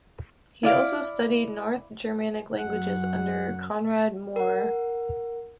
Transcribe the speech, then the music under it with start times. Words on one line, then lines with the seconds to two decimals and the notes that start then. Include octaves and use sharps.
He also studied North Germanic languages under Konrad Maurer.
0.63 E4 D5 F5
2.59 F#2 F#3 F#5
4.36 A#4 F#5